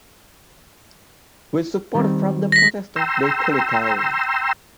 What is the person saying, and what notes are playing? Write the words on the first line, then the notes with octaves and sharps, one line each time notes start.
With support from the protesters, they pulled it down.
D#3 G3 C4
A#6 B6
G5 A#5 C6 E6